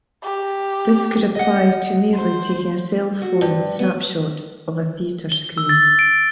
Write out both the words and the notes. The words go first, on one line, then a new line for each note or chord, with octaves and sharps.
This could apply to merely taking a cell phone snapshot of a theatre screen.
G4
D#5 F#5
C5
F#4
G2
B3
G7
E6
A6
D7